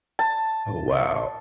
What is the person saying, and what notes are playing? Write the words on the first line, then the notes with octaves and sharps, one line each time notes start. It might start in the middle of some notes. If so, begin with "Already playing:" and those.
Oh, wow.
A5